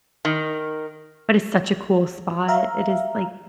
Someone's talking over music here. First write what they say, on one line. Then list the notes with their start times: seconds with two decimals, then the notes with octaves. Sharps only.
but it's such a cool spot. It is, like,
0.25 D#3
2.48 E5 F5 A#5